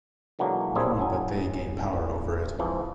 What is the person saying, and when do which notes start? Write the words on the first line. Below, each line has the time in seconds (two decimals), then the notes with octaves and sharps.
No one but they gained power over it.
0.39 B1 D3 E3 F#3 G#3 A#3
0.75 G3 A#3 C4 D4 E4 G#4
0.98 A#1 A2 F#3 G#5
1.93 A#2
2.59 F2 G#2 E3 F3